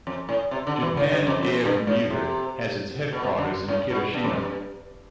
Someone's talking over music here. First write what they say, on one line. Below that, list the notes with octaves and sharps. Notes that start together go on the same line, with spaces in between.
Japan Air Commuter has its headquarters in Kirishima.
F2
A2
C3
D3
E3
A2
G2
F2
F2
G2
A2
C3
B2
C3
D3
A2
B2
G2
F2
G2